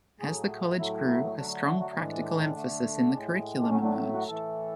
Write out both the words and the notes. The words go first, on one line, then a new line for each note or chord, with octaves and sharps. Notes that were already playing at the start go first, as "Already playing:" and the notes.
As the College grew, a strong practical emphasis in the curriculum emerged.
A2 F#3 A3 G#4
A2 F#3 A3 E4
D3 F#3 A3 D4
F#4
F#4
A2 E3 G#3 D4
D3 A3
A2 G#3
D4
A2 F#3 A3 C#4
D4
F#4
A2 E3 A3 A4